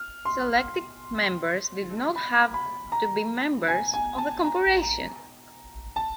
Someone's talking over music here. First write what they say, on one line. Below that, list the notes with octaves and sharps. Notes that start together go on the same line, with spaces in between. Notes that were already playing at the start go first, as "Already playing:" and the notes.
Selected members did not have to be members of the corporation.
Already playing: F6
C6
B5
B5
A#5
G#5
G#5
A5
A#5
A#5
A5